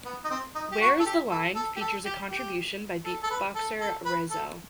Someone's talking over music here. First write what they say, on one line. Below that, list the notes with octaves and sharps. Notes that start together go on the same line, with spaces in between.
"Where Is the Line" features a contribution by beatboxer Rahzel.
B3
D#4
C4
D#4
G4
F#4
A4
G4
A4
A4
G4
A4
G4
G4
A4
A4
B4
A4
A4
B4
A4